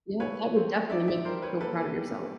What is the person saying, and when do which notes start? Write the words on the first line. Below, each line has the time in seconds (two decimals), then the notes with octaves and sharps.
Yeah, that would definitely make you feel proud of yourself.
0.20 A3 B4 C#5
0.56 C4
0.90 D#4 D5 E5
1.08 D5 E5
1.25 G3 A#4 C5
1.42 B4 C#5
1.60 A#3 A4 B4
1.95 G3